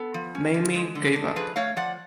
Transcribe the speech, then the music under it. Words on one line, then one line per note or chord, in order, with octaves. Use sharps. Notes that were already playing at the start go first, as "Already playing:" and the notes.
Mamie gave up.
Already playing: B3 A4
F3
C#4
D3
G#3
D3
D4
F3 G#4 B4
A3 C#5 F5
F3 D5 F#5